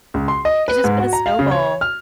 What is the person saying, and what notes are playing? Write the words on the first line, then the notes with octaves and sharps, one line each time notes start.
it's just been a snowball.
C#2
C6
D#5
B4
G#2
F#4
A#5
F5
C#3
C#5
F6